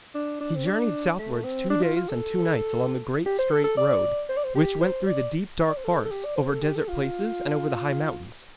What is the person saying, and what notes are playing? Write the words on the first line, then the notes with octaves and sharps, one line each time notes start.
He journeyed southwards two days and two nights along the great straight road, which went through the deep dark forests, over desert places and over the high mountains.
D4
D4
C4
D4
A3
C4
D4
F4
F4
A4
G4
C5
A4
A4
D5
C5
D5
C5
G4
C5
D5
D5
C5
A4
A4
G4
D5
C5
A4
G4
A4
F4